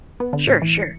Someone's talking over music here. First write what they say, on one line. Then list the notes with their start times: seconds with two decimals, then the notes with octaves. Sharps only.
Sure sure.
0.20 B3
0.33 D3
0.47 A2
0.62 E3
0.75 C#7